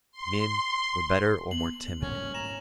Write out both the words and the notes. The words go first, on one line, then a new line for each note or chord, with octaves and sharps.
Men were better, or more timid.
C6
B3 F#7
G#2 G3 A#3 C#4
A#5 E7